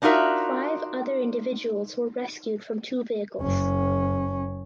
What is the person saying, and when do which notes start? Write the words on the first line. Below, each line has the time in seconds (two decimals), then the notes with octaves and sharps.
Five other individuals were rescued from two vehicles.
0.02 D4 D#4 F4 F#4 A#4 E5
3.41 F#1 C#4